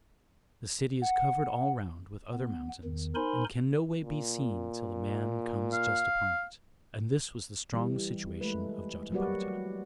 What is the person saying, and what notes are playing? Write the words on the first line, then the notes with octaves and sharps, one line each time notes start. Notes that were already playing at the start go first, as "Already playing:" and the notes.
The city is covered all round with other mountains, and can no way be seen till a man comes just upon it. And this was the strong situation of Jotapata.
F#5
B3
E2 D#3
D#4 A#4 C5 G#5 B5 C6
A#2
F5
E3 G3
G#3 A3 B4
F#3 G3 A#3 F#4 B4 D5